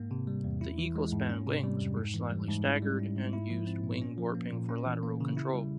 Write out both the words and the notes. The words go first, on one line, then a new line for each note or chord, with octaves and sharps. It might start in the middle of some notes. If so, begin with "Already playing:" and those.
The equal-span wings were slightly staggered and used wing warping for lateral control.
Already playing: G#2 A#3
C3
G3
E2
E4
E3
G#3
G#2
C#4
C3
G3
F2
G#2
E3
G3
G#2
E4
G3
C#4
G#2
E4
F3
C4
A#2
C#4
F3
A#3
A#2
C#4
E3
A#3
C#3
E4
G3